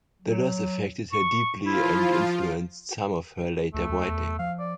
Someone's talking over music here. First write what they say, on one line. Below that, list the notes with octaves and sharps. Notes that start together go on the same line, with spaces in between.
The loss affected her deeply and influenced some of her later writing.
F#3
C#6
F3 E4 F4
D2 A3
D#2
E2
F3 F5
D5